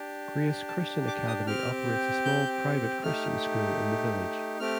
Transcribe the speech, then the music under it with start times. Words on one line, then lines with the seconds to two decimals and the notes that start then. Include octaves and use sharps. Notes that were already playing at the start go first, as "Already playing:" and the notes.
Grace Christian Academy operates a small private Christian school in the village.
Already playing: D4 G4
0.68 A5
1.07 D6
1.27 D#6
1.47 C4 G4 F6
2.25 G6
3.03 A3 D#4 G4 F6
4.60 A3 C4 G4 F6